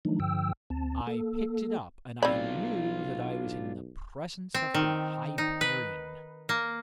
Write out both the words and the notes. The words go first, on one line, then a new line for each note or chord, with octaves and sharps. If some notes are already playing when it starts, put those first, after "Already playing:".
I picked it up, and I knew that I was in the presence of the Hyperion.
D#3 F3 F#3 A3 D4 D#4
G2 D3 F3 G5 E6
D2 C4 A5
A#3 A4
B1 C4 D4 F4 D5 B5
C4
D#3
D#4
B4
A#3